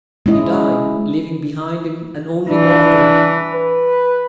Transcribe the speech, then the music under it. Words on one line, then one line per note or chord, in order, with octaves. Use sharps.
He died, leaving behind him an only daughter.
G#3 C#4 E4 D#5
E3 D4
B4